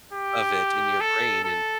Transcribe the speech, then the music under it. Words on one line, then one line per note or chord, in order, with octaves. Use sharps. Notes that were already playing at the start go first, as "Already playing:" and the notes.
of it in your brain and
G4
A4
A4